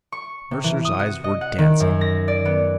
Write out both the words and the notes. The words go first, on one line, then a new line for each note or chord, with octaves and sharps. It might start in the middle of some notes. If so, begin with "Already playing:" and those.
Mercer's eyes were dancing.
C#6
C3
E3
D#6
F#4
D#5
F#5
D#3
F#2
A#6
D5
B3